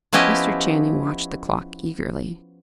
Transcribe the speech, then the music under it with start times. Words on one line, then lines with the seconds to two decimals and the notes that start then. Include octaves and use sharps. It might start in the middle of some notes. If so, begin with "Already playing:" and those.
Mr. Channing watched the clock eagerly.
0.13 F3 B3 C#4 E4 G4 D#5